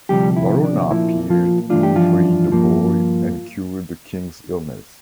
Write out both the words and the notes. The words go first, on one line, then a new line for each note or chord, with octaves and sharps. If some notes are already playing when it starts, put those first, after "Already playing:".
Varuna appeared, freed the boy and cured the King’s illness.
D2 C3 F3 G3 G4
E4
D4
A#2 F3 A#3 E4
F3 F4
G2 E3 A3 D4 F4
G4
F3 F4
G2 F3 A#3